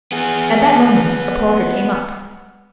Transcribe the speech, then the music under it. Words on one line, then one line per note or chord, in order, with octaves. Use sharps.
At that moment a porter came up.
B3 G#4